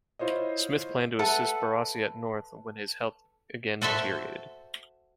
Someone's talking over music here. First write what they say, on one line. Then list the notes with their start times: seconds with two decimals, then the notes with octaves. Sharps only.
Smith planned to assist Barassi at North when his health again deteriorated.
0.19 E4 F4 C5 C#5 D#5
1.19 A4 B4 E5 F#5
3.82 F#4 A4 C5 E5